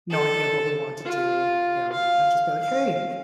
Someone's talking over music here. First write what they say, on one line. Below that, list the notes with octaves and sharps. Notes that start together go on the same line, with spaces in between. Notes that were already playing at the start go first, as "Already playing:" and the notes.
no idea what we want to do, you know, I'd just be like, "Hey,
A4
F4
F5
F5